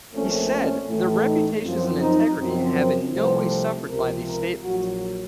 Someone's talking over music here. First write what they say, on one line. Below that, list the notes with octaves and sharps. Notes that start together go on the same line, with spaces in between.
He said, Their reputations and integrity have in no way suffered by these statements.
A#1 A#2 A3 C4 C#4
C#4
A1 A2 A3
D#4
F#2 F3 C4 F4
D#4
F#2 F3 C4
A#4
C2 C3 F3 A3 C5
C#2 C3 F3 A#4
A#4
A#1 A#2 F#3 F#4